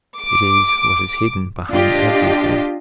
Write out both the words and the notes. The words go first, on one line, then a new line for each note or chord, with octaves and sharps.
It is what is hidden behind everything.
D6
D4 F4 G4 D#5